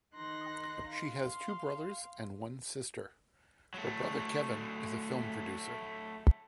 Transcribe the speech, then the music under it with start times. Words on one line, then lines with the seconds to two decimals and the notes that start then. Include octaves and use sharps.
She has two brothers and one sister; her brother Kevin is a film producer.
0.15 D#3 D#4 C6 F#6 A#6
0.89 F5 C6
3.74 F#3 A3